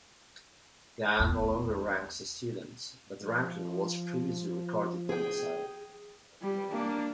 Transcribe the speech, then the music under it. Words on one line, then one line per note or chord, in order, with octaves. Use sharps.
Gunn no longer ranks students, but ranking was previously recorded by decile.
E2
F3
G#4 G5
G3
A#3 D4